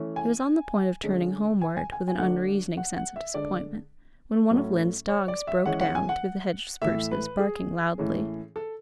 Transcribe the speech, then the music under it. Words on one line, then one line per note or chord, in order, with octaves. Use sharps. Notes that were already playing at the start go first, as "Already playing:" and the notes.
He was on the point of turning homeward, with an unreasoning sense of disappointment, when one of Lynde's dogs broke down through the hedge of spruces, barking loudly.
Already playing: E3 A3 C#4
G#5
D3 G#3 C#4
G#5
G#5
G#5
G#5
D3 F#3 A3 D4 F#5
F#5
F#5
E5
D3 G#3 D4 D5
A2 F#3 A3 C#4
C#5
D5
E5
E3 G#3 C#4 F#5
F#5
G#5
F#5
A2 E3 A3 E5
B4
G#4
A2 E3 G#3 C#4
A4